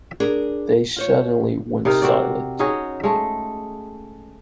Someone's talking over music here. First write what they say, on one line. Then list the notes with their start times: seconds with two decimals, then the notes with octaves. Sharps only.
They suddenly went silent.
0.20 D4 G#4 A#4
0.96 F4 C5 C#5
1.85 C3 D#4 A#4
2.02 C4 F#4 D5
2.59 C#4 D#4 F#4 G#4
3.04 G#3 A3